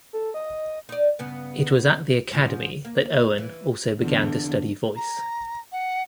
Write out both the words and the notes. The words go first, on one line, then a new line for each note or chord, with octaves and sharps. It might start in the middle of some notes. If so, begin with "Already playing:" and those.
It was at the Academy that Owen also began to study voice.
A4
D#5
D#4 D5
G2 C#3 B3
G#2 F3 C#4
A#3
E3
E2 D3
A#5
F#5